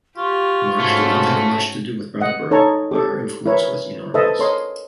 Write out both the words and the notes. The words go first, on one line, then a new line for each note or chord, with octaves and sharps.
Marsh did not have much to do with Brattleboro, but her influence was enormous.
F4 G4 C#6
G#2 A3 C#4 F#4
D#5 F#5
D#4 A4 C#5 A5 A#5 C#6
G4 A4
E4 A#4 B4 C#5
A4 B4 C5 D#5 E5 A5
A#4 C#5 D#5 C6